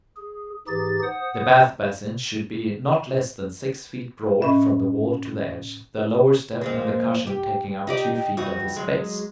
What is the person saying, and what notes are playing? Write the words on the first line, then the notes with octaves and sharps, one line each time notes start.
The bath basin should be not less than six feet broad from the wall to the edge, the lower step and the "cushion" taking up two feet of this space.
G#4
G#2 E3 D#4 G4 G#4 A6
C5 F#5 D#6
A2 C#4 D#5 E5 B5
A#2 F3 G#3
G4
D#4 G4 D5
G2 D#4 F#4
F#3 G#3